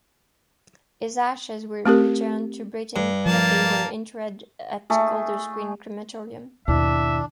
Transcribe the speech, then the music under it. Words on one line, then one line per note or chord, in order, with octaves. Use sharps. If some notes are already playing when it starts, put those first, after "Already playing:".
His ashes were returned to Britain where they were interred at Golders Green Crematorium.
A3 C4 G4 A#4
G2
F3 A#3 A5
A3 G#4
G#1 D#2 B2 D4 E4 E5